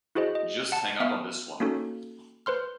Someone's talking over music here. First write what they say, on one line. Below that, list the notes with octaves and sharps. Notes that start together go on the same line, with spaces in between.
Just hang up on this one.
E4 F#4 G#4 C5 D#5
D#5
F#5 A5
B3 E5 F5 D#6 F6
A#3 C#4 D#4 F#4 A4
B4 C5 C6 F6